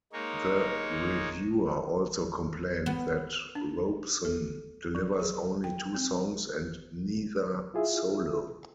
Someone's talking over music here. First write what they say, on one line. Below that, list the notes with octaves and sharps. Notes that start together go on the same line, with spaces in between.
The reviewer also complained that Robeson "delivers only two songs and neither solo".
G#3 A#3 D#4 C#5
B3
D4
A4
F#3
G#4
G5
C4
E4 F4 G#4 E5